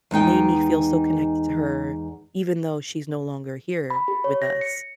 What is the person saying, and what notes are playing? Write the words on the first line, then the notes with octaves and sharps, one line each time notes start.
made me feel so connected to her, even though she's no longer here with us.
E2 G#3 D#4 G5
B5
G4
C#5
A#6
C#7